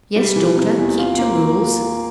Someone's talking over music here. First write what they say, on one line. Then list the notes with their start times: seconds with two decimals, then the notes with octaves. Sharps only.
"Yes, daughter; keep to rules."
0.16 G3
0.36 E3
0.57 C3
0.78 E2
0.99 F4
1.18 A#3